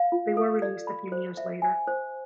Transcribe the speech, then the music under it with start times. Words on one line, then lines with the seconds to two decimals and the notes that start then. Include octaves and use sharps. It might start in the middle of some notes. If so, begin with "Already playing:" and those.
They were released a few years later.
Already playing: F5
0.12 F4
0.37 A4
0.62 D5
0.87 B5
1.12 C5
1.37 E5
1.62 G#5
1.87 C5